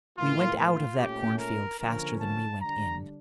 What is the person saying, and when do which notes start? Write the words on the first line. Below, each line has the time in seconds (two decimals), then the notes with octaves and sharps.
We went out of that cornfield faster than we went in.
0.17 A2 E3 A#3 F4
0.58 F4
0.99 A#2 A3 C#4 G4
1.39 A#4
1.79 D3 F3 A#3 C#4 A#4
2.20 A5
2.60 D3 G3 D4 A#5